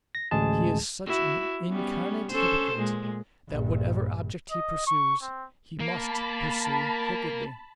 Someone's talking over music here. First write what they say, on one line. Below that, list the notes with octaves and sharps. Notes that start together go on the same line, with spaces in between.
He is such an incarnate hypocrite, that whatever object he pursues, he must pursue crookedly.
A#6
A1 D2 G#3 G#4 A5
E4 F#4
G3 B3 C#4
C#4 A4 C5
A#2 G#3
A#1 G2
D#5
C#6
C4
A#3 A5 B5